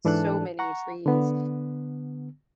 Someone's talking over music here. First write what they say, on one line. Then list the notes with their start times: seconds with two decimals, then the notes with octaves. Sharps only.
so many trees,
0.05 G#2 E3 D4 A4 A5 F#6
0.59 F#5 A#5 C#6
1.06 D3 B3